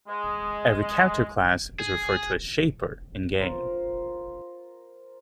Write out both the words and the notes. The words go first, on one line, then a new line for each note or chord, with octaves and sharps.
Every character class is referred to as "Shaper" in-game.
G#3
G#4
F4 A#4 C5